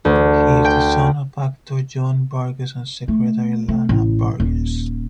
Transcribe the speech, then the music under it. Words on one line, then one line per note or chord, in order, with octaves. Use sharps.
He is the son of actor John Burgess and Secretary Lana Burgess.
D2
G5
A3
A3
A1
D#1